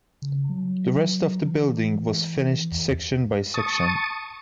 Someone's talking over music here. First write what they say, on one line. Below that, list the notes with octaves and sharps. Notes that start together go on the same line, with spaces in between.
The rest of the building was finished section by section.
C#3
F#3
E3
E2
A5 C#6 D#6